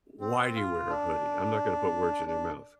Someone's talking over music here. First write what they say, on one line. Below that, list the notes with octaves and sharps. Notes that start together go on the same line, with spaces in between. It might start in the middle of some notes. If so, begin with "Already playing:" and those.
why do you wear a hoodie? I'm not gonna put words in your mouth,
C4
F4
D4
D4